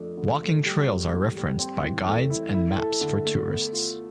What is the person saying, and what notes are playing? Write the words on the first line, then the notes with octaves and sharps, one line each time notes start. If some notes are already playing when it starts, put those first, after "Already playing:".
Walking trails are referenced by guides and maps for tourists.
Already playing: F2 A3 D4
D3
A3
G3
G3
E2
G3
C4
E3
A3
E4
E4
A4
D3
A3
B3
F4